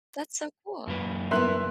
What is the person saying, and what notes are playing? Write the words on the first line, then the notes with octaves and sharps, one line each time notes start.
That's so cool.
F#2 A#3 B4
B3 E4 A#4 E5 C6 F#6